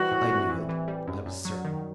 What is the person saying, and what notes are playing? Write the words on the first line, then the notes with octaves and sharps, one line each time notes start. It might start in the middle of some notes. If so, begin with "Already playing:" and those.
I knew it, I was certain.
Already playing: E3 G3 C4 F#4
A2
E3
E3
E3
G3
F#2
F#2
F#3
D#3